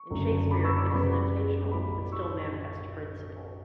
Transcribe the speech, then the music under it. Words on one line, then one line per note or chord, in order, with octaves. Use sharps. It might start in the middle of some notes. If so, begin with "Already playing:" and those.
In Shakespeare it is an occasional, but still manifest principle.
Already playing: C#6
F#1 F#2 D3 F#3 A3
B5 D6
C#6 E6
B5 D6
F#2 C#3 G3 B3 B5 D6
B1 A2 G3 B5 D6
C#6 E6